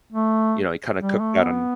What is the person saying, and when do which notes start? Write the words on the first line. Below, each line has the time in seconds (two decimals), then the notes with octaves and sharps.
you know, you kinda cook that on
0.12 A3
0.99 G3
1.20 A3
1.42 B3